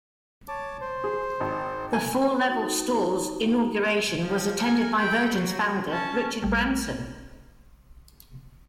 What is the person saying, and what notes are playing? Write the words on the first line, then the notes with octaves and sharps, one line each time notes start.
The four level store's inauguration was attended by Virgin's founder Richard Branson.
C#5 A5 D6
C5
G#4
G#1
G#5 A#5
D#4 F#4
F3
A#4 G#5
G5 B5
F#3
C#4 A5
A#1 G3 A3